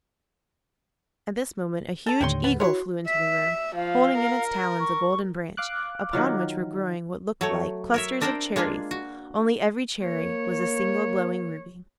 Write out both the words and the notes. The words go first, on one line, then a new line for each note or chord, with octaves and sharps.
At this moment a huge Eagle flew into the room, holding in its talons a Golden Branch, upon which were growing what looked like clusters of cherries, only every cherry was a single glowing ruby.
A4 A5
D#2 A2 D3 G4 C#5 C6
B3
E4 F#4 C#5 F#5 C6
E5 B6
F3 F5
A#4
C#6
F5 D6 F#6
D#3 F#3 F4
F#3 A3 C#5
A#4 C#5 E5
C4 D4 A#4 C5 G5 A#5
G#3 A#3 D4 F4 G#4
F#4
A#3 C#5